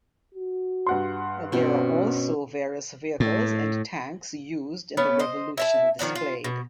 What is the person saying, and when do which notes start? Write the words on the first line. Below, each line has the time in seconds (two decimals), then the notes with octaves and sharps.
There are also various vehicles and tanks used in the revolution displayed.
0.35 F#4
0.87 G2 F#5 C6
1.52 B2 C4 C#4
3.20 A2
4.97 A3 B3 C#4
5.19 C5 D#5
5.57 E4 E5 A5
5.99 D#3 F3 D4 F#4
6.15 F4
6.44 B2